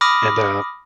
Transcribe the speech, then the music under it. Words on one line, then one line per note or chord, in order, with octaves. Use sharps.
and, uh,
B5 D6 D#6 F6 A#6